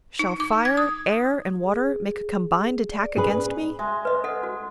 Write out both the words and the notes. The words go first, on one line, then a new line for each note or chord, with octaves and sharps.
Shall fire, air, and water make a combined attack against me?
D#4
D6
G#6
D#6
G#4
D5
C#4 G#4 B4
G#3 E5
B4 D#5
A4 D#5 F#5
F#4